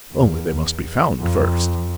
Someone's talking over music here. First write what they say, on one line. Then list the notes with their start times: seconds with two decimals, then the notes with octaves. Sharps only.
Only they must be found first.
0.13 E2
1.19 F2